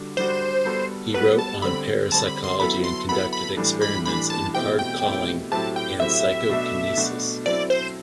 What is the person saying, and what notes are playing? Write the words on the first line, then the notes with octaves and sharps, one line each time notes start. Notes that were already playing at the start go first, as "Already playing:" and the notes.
He wrote on parapsychology and conducted experiments in card-calling and psychokinesis.
Already playing: D3 G3 D4 F#4
D3 G3 D4 F#4 C5
G3 B3 F#4 A4
G3 B3 F#4 A4 B4
A5
D3 G3 C4 B5
D3 G3 C4 A5
B5
C6
F#3 B3 E4 A4 B5
C6
F#3 B3 E4 A4 B5
B5
A2 E3 G3 D4
B5
A2 E3 G3 D4 B5
A5
B2 A3 C4 E4 G4 G5
G5
B2 A3 C4 E4 G4
A2 F#3 C4 E4 G4 A5
G5
A2 F#3 C4 E4 G4 E5
B2 A3 D4 F#4 A4
B2 A3 D4 F#4 A4
F#3 C4 E4 A4 D5
C5